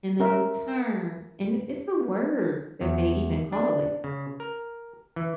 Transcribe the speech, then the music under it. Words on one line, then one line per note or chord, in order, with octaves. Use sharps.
and the new term, and it it's a word, that they even call it,
C#4 A#4 E5
E2
D4
C#3
A#4
E3